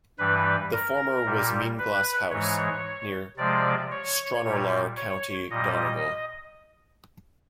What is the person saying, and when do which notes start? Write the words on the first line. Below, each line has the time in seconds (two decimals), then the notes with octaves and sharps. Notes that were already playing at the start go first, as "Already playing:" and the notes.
The former was Meenglass House, near Stranorlar, County Donegal.
0.18 G2 E3 G3 B4
0.72 A#4
1.25 A#2 G3
1.78 B4
2.31 G#2 E3 G#3 C#5
3.37 C3 F3 G#3 D5
3.91 C#5
4.43 A#2 G3
4.97 C#5
5.50 A#2 G3 D#5